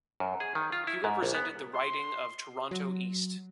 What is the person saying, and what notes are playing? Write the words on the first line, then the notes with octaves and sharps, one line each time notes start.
He represented the riding of Toronto East.
F#2
G#4
D#3
F4
E4
G#2
A#1
B3
C6
F#3